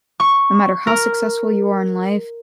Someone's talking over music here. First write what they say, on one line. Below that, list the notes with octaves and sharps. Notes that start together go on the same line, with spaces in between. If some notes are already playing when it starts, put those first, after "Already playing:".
no matter how successful you are in life,
C#6
A#4